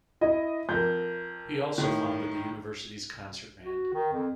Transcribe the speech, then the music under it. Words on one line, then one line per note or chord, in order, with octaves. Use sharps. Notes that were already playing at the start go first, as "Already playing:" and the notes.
He also founded the University's concert band.
E4 D#5
F2 A#4 G6
A2 D#3
F#4
D#3
F2